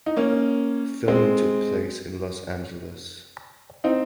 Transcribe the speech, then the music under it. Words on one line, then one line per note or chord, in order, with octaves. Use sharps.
Filming took place in Los Angeles.
D#4
A#3 C#4
G#3 C4
C4 D#4